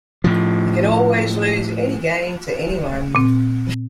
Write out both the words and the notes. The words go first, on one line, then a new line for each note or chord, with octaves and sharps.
You can always lose any game, to anyone.
A2 F3
A#2 C4